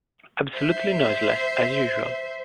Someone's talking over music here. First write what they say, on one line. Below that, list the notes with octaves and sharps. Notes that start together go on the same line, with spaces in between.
Absolutely noiseless, as usual.
C5 E5